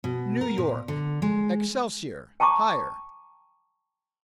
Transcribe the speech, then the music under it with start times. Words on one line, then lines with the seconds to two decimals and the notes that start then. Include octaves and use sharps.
New York--Excelsior: Higher.
0.04 B2
0.41 A#4
0.58 A#2
0.88 D3
1.22 G#3
2.40 G5 A5 A#5 C#6 D6